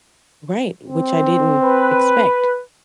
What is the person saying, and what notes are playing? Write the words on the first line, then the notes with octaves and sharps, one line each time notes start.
Right, which I didn't expect.
C4
B4